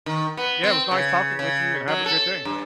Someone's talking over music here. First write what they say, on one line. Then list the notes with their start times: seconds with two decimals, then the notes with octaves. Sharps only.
Yeah, it was nice talking with you, and have a good day.
0.06 D#3
0.37 B3
0.64 C4
0.91 C#3
1.39 C#3
1.88 F#3
2.06 A4
2.45 G2